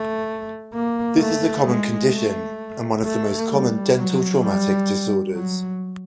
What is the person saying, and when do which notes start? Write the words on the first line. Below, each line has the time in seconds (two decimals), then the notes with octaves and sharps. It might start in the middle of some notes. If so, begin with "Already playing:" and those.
This is a common condition and one of the most common dental traumatic disorders.
Already playing: A3
0.73 A#3
1.20 A3
1.65 G#3
2.11 A3
3.05 A3
3.50 G3
3.97 F#3
4.42 G3
5.35 F#3